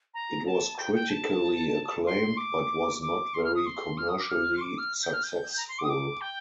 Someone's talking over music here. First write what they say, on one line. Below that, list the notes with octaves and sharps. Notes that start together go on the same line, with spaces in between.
It was critically acclaimed but was not very commercially successful.
A#5
A5
G5
G5
A5
C6
D6
D6
C6
F6
D#6
C6
F6
D#6
D6
F6
C6
D6
F6
G6
F6
G6
A#5
C6
D6
D#6
D6
G5